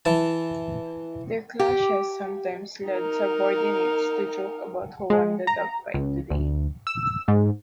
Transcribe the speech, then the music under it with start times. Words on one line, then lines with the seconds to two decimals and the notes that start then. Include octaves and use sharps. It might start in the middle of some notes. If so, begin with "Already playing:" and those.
Their clashes sometimes led subordinates to joke about who won the dogfight today?
0.05 E3 A5
1.59 G4
2.88 D#4 A#4
5.10 G#3
5.47 A#5
5.94 C#2
6.30 D2
6.87 E6
7.28 G#2